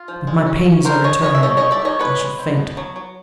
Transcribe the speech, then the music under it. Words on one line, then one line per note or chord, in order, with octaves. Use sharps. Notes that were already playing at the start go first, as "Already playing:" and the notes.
But my pains are returning, I shall faint.
Already playing: F4
F3
G#3
C#4
C#4
E3 A#4 C5
D4 C#5 D#5
E3 C#5 D#5
E5
G3 C#5 D#5
G3 C#5 D#5
D5 E5
D#3 C#5 D#5
G#3 B4 C#5
G#3
C4
B3
F#3
F#3